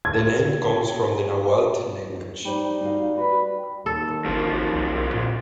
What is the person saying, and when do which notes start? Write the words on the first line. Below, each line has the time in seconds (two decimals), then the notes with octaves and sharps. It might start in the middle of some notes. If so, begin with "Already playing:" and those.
The name comes from the Nahuatl language.
0.05 G#6
2.45 G3 D#4 C5
2.81 D#4 F#4 F5
3.17 F#4 B4
3.86 D#2 A4
4.25 A1 F#2 F3
4.71 B1
5.11 A#2